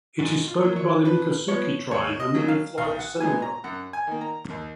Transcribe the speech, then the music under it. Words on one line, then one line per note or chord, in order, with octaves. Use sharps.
It is spoken by the Miccosukee tribe and many Florida Seminole.
G#2 F#4
F4
F#3 A#3
C#5
F2 B4
F3 B3 C#5
D#2 C#5
D#5
C#3 F#3 A#3
F5
B1 F5
F#5
A#2 G#3 B3 G#5
A#5
F#2 F#5
G#5
D#3 A#3
A#5
D#2